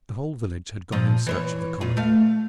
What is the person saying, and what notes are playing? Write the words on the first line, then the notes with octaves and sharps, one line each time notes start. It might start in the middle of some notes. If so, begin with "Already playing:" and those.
The whole village had gone in search of the commodore.
A#2 F3
E3 C5 C#5
A#2 F4
A3 F5